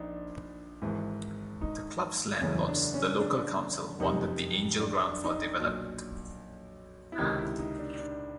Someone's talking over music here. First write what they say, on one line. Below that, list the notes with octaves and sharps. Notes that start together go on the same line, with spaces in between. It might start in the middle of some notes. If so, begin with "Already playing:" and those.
The club's landlords, the local council, wanted the Angel Ground for development.
Already playing: A#1 D4 D#4
G#1 G#2 E3
D#4
F#1 E2 C#3 E3 C#4
D4
C#4
D4
F#1 F2 C3 D#4
D4
D4
D#4
D4
B1 A#2
E4
C#2 C3 D#3 D#4
E4
D#4
D4
D4